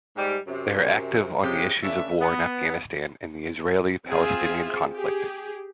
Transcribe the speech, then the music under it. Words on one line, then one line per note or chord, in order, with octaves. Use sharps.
They are active on the issues of War in Afghanistan and the Israeli-Palestinian conflict.
G#2 G3
F#2 C3
C3 F3 G#3 C#4 G4
C#3 A#3 D4 E5
B3
C4 F4 G#4 E5
G4 G#4